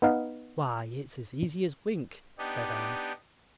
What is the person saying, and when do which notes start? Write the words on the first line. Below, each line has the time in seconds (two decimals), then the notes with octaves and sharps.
"Why, it's as easy as wink," said Anne.
0.02 B3 D#4 F5 F#5
2.38 B3 D4 D#4 G4